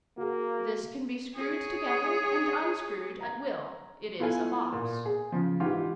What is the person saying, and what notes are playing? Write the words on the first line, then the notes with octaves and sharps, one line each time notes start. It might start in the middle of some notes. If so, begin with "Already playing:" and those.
This can be screwed together and unscrewed at will; it is a box.
A#3 F#4 G#4
G#4 C#5
A#5 G#6
B3 E4 F4 A4 F5 G#5
A#2
G#4
C#3 F3
G#2 E3 F4 G4